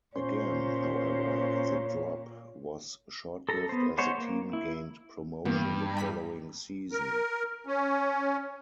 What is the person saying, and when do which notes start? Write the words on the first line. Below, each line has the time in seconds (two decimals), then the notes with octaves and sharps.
Again, however, the drop was short-lived as the team gained promotion the following season.
0.16 A#2 C#4 C5 C#5
3.49 A4 A#5
3.69 B3 C5
3.98 G#3 B3 C5 C#5
4.18 A#3
4.53 E4
5.45 G2 E3 A#3 B3
5.97 G5 B5 B6
6.92 A#4
7.67 C#4